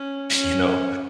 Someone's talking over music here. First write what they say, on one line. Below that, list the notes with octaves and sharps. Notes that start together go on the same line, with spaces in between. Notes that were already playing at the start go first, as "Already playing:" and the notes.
you know?
Already playing: C#4
C#4